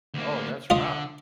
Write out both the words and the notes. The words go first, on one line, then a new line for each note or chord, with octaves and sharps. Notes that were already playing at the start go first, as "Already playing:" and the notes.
Oh, that's rough.
D2 A#3
D3 F4 D#5